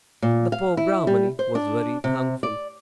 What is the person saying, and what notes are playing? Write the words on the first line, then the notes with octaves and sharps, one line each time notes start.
The poor Brahmani was very thankful.
A#2
F5
E4
G3
C5
D4
C3
D5